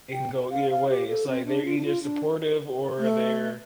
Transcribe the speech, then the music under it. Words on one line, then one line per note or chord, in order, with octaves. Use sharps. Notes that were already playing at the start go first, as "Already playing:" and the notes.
it can go either way. It's like they're either supportive or they're
G5
F5
F5
G4
A4
C4
D4
F4
D4
F4
D4
A3